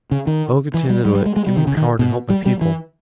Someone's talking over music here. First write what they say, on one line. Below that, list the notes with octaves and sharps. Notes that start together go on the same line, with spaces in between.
O Getanittowit, give me power to help my people.
C#3
D#3
E3
G3
G3
G3
G#3
G#3
G3
D#3
C#3
D#3
B2
G3
G3
E3